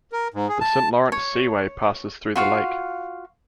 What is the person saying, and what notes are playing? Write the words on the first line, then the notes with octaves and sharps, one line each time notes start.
The St. Lawrence Seaway passes through the lake.
A#4
G#2
G#4
A5
C#5
F4 F#4 F5